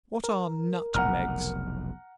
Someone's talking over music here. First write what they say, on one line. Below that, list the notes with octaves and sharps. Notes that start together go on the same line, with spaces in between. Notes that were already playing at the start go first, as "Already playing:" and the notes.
What are Nutmegs?
A#4
F1 B1 F#5 A#5 F6